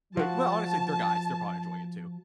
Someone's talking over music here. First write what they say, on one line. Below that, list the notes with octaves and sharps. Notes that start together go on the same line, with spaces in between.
like well, honestly, they're guys, they're probably enjoying it too.
F3 F#4 A5